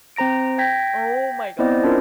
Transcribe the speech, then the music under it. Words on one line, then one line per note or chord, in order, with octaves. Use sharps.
Oh my god.
C4 C5 A#5 A#6 D7
G5 G6 G#6 A#6 B6
B3 C4 E4 C5 D5 D#5
C#4 D4 F4 A#4 C5